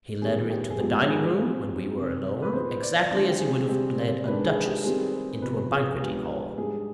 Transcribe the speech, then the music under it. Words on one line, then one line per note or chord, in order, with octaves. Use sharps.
He led her into the dining-room, when we were alone, exactly as he would have led a duchess into a banqueting-hall.
D#3 G3 B3 G#4
G4
G#4
G#2 F3 B3 G4
G#4
F3 C4 D#4 G4
C3 D#3 G3 C4
B4
D#3 B3 F4 G#4 C5
D5
D3 G#3 D4 F4 C5
G4
G#4
C3 G3 C4 G4
D5
D#3 G#3 D4 B4
G#4
G4
D#3 G3 C4 G4 G#4
C3 F3 B3 B4
G#4
G#2 F3 B3 D4 G4
G#2 G3 D4 G4 G#4